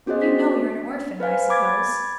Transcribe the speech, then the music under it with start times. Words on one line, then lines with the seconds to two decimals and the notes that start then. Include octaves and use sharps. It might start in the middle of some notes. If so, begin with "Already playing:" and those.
You know you're an orphan, I suppose?'
0.06 B3 C#4 F#4 G#4 C5 D#5
0.22 D4 B6
1.20 B4 C5 F5 G#5
1.49 B5 D6 G#6 A6